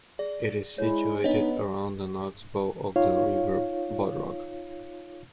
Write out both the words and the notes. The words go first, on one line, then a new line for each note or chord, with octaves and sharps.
It is situated around an oxbow of the River Bodrog.
G#4 D5
G#3 E4 C#5
B3 D4 D#4 C#5 D#5
D#4 F4 C#5 F5